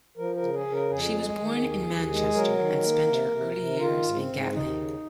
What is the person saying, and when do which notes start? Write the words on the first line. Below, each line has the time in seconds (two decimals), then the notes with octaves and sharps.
She was born in Manchester and spent her early years in Gatley.
0.17 F3 A#4
0.36 A#4
0.42 C#3
0.53 G#4
0.66 C#3
0.72 A#4
0.90 F2 G#4
1.14 G#3
1.38 D#3
1.62 D#2
1.86 D#2
2.10 G#3
2.34 F#3 A#4
2.59 D#3
2.82 A#3
3.07 C3
3.30 C3
3.55 C3
3.79 D#3 F4
4.03 G#2
4.15 C4
4.27 G#2
4.51 D#2 D#4
4.76 C#3